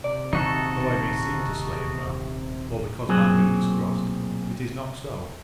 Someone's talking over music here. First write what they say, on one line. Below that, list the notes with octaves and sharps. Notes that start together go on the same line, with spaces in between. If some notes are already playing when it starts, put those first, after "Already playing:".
Though I may seem to slay in wrath, or because my mood is crossed, it is not so.
C3 D5
D#1 D#3 C#4 D#4 F#4 A4 C#6
B1 A#2 F#3 C4 G#4